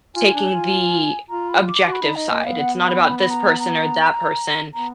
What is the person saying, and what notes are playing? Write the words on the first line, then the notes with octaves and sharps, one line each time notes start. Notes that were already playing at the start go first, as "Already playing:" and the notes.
taking the objective side. It's not about this person or that person,
F4 G#5
D4
F4
F4 A#5
B5
D6
F#4 D6
B5
D#4
D#4 D#5
A#3
B3 F5
F#5
B5
B5
B5
A#5
A#5
B3 A#5